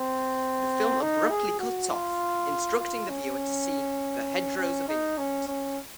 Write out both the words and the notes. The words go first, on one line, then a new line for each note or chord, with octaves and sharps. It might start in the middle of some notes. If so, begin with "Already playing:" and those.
The film abruptly cuts off, instructing the viewer to see 'The Hedgerows of England'.
Already playing: C4
D#4
G#4
F#4
F4
F4
C#4
C#4
D#4
C#4
C#4